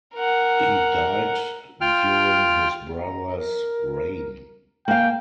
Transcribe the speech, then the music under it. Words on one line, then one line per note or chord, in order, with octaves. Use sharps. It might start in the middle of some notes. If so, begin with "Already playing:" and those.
He died during his brother's reign.
A#4 F#5
F4 G5 F6
A#5
A#4
A#3 F5 G5 G#5